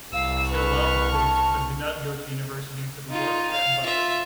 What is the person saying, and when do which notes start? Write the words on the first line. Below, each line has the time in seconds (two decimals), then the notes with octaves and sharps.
She loved books but did not go to university but worked at Butlins.
0.13 C2 F5 E6
0.50 B4 C#6 F6
1.12 A5
3.10 D#4 F4
3.51 F5
3.85 F4 E5